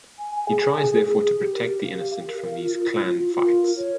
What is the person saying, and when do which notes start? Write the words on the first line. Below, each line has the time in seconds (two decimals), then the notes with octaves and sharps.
He tries therefore to protect the innocent from these clan fights.
0.19 G#5
0.34 G#5
0.49 G#4
0.63 G#5
0.79 G#4
0.94 G#4
1.09 G#4
1.23 G#4
1.38 G4
1.53 A#4
1.68 G4
1.83 F5
1.98 G4
2.13 F5
2.28 A#4
2.42 A#4
2.58 F4
2.73 F4
2.87 F4
3.02 F4
3.17 F4
3.32 F4
3.46 A#4
3.61 A#4
3.76 C#5